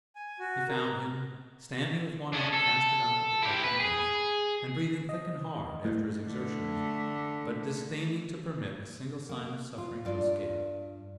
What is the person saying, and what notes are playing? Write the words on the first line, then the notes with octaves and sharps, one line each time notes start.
He found him, standing with one arm cast about the protecting post, and breathing thick and hard, after his exertions, but disdaining to permit a single sign of suffering to escape.
G#5
F#4
A#4
C#4 D4
A4
E4 G4
B4
G#4
D#5
A2
D3 A3
A#3
F4
G2 F4 D5